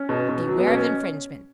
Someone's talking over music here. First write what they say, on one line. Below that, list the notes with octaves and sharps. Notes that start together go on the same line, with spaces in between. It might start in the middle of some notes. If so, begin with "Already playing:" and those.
Beware of infringements!
Already playing: C#4
B2
B2
F#3
B3
B2 C#4